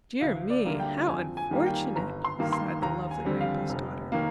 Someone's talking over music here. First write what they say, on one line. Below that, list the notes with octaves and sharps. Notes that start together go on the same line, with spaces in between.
"Dear me, how unfortunate!" sighed the lovely Rainbow's Daughter.
D2 F5
D5
D3 G3 A#3
G5
F2 G#5
G#5
D#3 G3 A#3
G5
G1 A#5
C6
G2 D#3 A#3
C6
D#2 A#5
G#5
D3 G3 C4
F5
F1
D#3 A#3